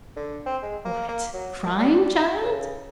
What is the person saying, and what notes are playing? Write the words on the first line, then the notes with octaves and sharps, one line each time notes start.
What! crying, child?
D3
C4
G#3
A#3
A#3
F#3
F#2
G3
G3
E4
C#3